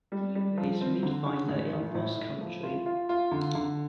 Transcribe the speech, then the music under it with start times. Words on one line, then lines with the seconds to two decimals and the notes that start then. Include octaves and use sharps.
He plays midfielder in Ross Country.
0.12 G3
0.35 G3
0.58 F3
0.81 C4
1.03 D3
1.26 D3
1.49 A1
1.73 A1
1.95 A2
2.18 A2
2.41 F3
2.63 F4
2.86 F4
3.09 F4
3.31 D3
3.55 D3